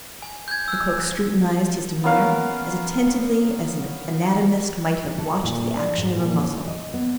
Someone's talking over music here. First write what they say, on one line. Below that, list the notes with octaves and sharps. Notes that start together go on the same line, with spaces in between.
Lecoq scrutinized his demeanor as attentively as an anatomist might have watched the action of a muscle.
G#5
G6 G#6
E6 F#6
B3 C#4 A#4 F5
D#4
A4
A#2
D4
G#2
A#2
C#4
D#5
B3